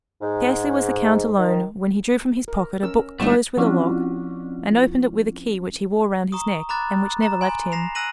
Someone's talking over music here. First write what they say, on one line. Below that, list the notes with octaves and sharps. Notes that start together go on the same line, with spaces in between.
Scarcely was the count alone, when he drew from his pocket a book closed with a lock, and opened it with a key which he wore round his neck, and which never left him.
G#2
D#3
A#4
C#4 A#4 E6
G1 A3 D#4 F#5
F3 C4 C#4 E4 F4
A#5 C#6 D#6
A#5 B5 D6 F#6 A6
A#5
G#5 A#5 C6
A#6 C7 E7 F7
G#5 E6 F#6 A#6 D#7 F#7